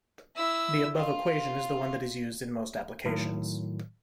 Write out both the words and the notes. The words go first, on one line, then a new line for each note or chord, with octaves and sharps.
The above equation is the one that is used in most applications.
E4 E6
F4
A2 D#3 F#3